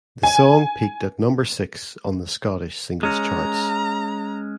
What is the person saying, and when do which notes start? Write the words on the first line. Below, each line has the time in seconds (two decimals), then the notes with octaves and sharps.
The song peaked at number six on the Scottish Singles Charts.
0.23 G#5
3.03 G#3 C#4 A#5